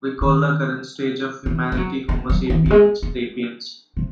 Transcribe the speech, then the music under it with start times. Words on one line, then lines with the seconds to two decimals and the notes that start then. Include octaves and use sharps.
We call the current stage of humanity homo sapiens sapiens.
0.21 D#3
1.46 E3
1.72 G#3
1.77 F#3
2.09 G#3
2.30 F#3
2.50 E3
2.66 F#3
2.71 G#3
3.02 G#3
3.97 C3